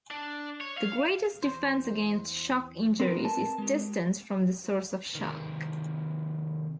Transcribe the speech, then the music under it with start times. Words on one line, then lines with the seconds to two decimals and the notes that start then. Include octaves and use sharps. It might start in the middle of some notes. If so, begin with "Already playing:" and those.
The greatest defense against shock injuries is distance from the source of shock.
0.11 D4
0.61 C#5
0.78 F5
1.43 E2 C5
3.00 C4 A#4 B4
3.25 A5
3.58 G#3 G4
5.15 C3 D#3